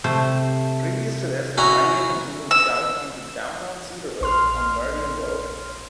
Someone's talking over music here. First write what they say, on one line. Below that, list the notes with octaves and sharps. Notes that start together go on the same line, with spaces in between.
Previous to this, the highway continued south into downtown Cedarville on Merdian Road.
C3 A3 C5
C#4 E4 F#4 A#5
E6
A#1 C6 F6